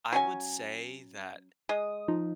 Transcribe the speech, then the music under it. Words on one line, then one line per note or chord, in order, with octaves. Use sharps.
I would say that
F#3 C#4 G#5
G#3 D#6
F3 D#4